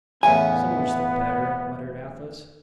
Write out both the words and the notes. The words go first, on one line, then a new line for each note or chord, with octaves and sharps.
"So much the better," muttered Athos.
E2 A2 C#3 B3 G#5